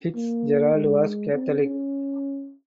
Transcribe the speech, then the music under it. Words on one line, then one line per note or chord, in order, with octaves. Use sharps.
Fitzgerald was Catholic.
A#3
G#3
C4
C#4